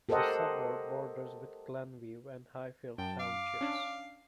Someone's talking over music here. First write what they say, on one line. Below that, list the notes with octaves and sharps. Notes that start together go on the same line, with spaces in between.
The suburb borders with Glen View and Highfield townships.
G4 A4 A#4 C5 D#5 F#5
F#2 G5 A5
F5 D6
C#4 D4